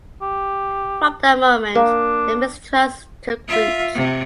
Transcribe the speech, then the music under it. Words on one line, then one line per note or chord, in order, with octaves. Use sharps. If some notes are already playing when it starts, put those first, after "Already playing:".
From that moment the mistrust took root.
G4
A#3 D4
F4 E5
C3